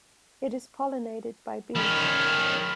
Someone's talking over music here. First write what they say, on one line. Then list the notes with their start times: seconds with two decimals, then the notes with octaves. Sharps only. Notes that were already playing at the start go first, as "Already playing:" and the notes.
It is pollinated by bees.
1.76 D#3 F3 C#4 B5 F6